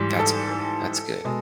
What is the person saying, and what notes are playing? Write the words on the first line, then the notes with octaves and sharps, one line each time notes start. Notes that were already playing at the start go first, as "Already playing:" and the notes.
That's good. That's good.
Already playing: G#2 E3 G3
A4
B2 G#3